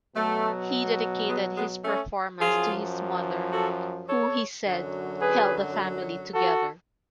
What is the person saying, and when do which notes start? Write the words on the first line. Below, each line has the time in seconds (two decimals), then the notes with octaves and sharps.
He dedicated his performance to his mother who he said "held the family together".
0.15 B2 F#3 A3
1.28 G#3 B3
1.56 G#3 B3
1.84 A3 C#4
2.40 F#2 F3 F4 G#4
3.53 F#4 A4
4.09 A4 C#5
4.65 F#2 D3 F#3
5.21 G#4 B4
6.34 F#4 A4